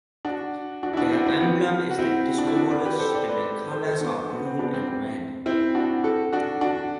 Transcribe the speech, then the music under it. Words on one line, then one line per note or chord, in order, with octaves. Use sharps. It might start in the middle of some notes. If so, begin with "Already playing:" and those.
Their emblem is the Discobolus and their colors are blue and red.
D4 F#4
D4 F#4
E4
D4 F#4
C4 E4
C4
B3
F#4
C4 E4
D4
E4
D4 F#4
B4 D5
G4 B4
A4 C5
D5
B4 D5
A4 C5
A4 C5
B3 D4
B3
B3
C4
B3 D4
C4
C4
C4 E4
D4 F#4
F#4 A4
D4 F#4
D4 F#4